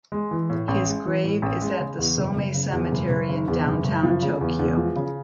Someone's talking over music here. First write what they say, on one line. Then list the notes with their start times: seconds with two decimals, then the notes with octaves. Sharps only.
His grave is at the Somei Cemetery in downtown Tokyo.
0.12 G#3
0.31 E3
0.50 A2
0.68 A1
0.86 G#3
1.06 E3
1.24 A2
1.42 A1
1.61 G#3
1.79 C#3
1.99 E2
2.17 F#1
2.36 F#1
2.54 C#3
2.72 E2
2.92 F#1
3.10 F#1
3.29 C#3
3.48 E2
3.66 F#1
3.84 F#1
4.03 F3
4.22 C#3
4.41 E2
4.59 E2
4.77 F3
4.96 C#3